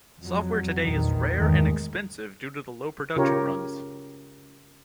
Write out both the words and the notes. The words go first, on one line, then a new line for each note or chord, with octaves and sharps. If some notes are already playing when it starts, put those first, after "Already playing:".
Software today is rare and expensive due to the low production runs.
F2 F#3
A#1 E2 D#3
E2 G#2 D#3 G#3 A3
C#3 F4 G4 A#4 C#5